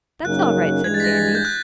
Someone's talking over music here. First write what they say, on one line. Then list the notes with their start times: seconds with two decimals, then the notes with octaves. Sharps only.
'That's all right,' said Sandy.
0.24 F#2 C#3 F#3 A#3 D#4 F#6
0.84 G2 E3 G#3 G#6
0.94 A6
1.00 B6
1.04 A#6
1.14 A6
1.35 G6
1.45 F#6